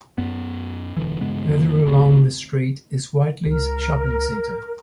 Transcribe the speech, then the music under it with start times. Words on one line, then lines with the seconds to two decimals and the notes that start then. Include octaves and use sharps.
Further north along the street is Whiteleys shopping centre.
0.18 F#2 B3
0.97 E1 F#2 D3 E3
1.21 G2 C#3 G#3 B3
1.49 F2 D#3 F3 A#3
1.86 G#1 D2 C3
3.47 C#2 A#4